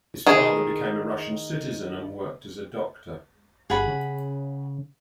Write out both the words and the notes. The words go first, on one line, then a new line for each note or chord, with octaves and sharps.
His father became a Russian citizen and worked as a doctor.
D#3 G#4
G1 G#4 F#5 B5
C#3